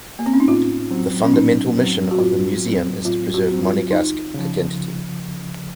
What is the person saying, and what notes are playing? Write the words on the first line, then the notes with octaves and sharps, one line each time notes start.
The fundamental mission of the museum is to preserve Monegasque identity.
A#3
C4
C#4
D#4
A2 F4
F#3 C4
C#4
A2 D#4
F#3 C4
F#4
A2 F4
F#3 C4
A2 F4
F#4
F#3 C4
F4
C#2 D#4
C#3 F3